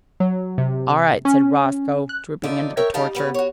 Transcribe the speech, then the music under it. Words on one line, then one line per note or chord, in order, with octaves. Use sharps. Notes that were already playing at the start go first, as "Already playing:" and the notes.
"All right," said Roscoe, drooping under the torture.
F#3
C3
C#4
F#6
F#2 D3 D#4 F4 D5 E5
A#4 C#5 E5 G5
G3 D#4 G4 F5 A5
G3 B3 C#4
F#4 C#5